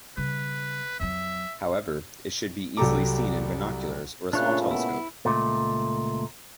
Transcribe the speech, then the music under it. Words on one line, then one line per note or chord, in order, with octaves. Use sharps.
However, it should be easily seen in binoculars or a small telescope.
C#3 G3 B4
F2 F#3 E5
C2 F#3 G4 A4 A#5 D6
A#2 C#3 A3 D4 F4 C#5 F#6
B3 E4
C#2 A#2 A3